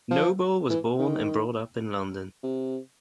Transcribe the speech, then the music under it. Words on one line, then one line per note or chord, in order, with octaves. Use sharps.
Noble was born and brought up in London.
F3
E3
D#3
C3